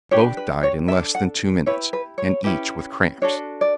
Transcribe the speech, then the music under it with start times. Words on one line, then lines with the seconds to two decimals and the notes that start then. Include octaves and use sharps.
Both died in less than two minutes, and each with cramps.
0.11 D4 G4 B4 C#5
0.37 B4
0.63 C#5
0.88 D4 A4 E5
1.15 F#5
1.66 E4 G4 B4 C#5
1.93 B4
2.18 C#5
2.44 C#4 E4 G4 B4
3.22 D4 F#4 A4 C#5
3.61 D5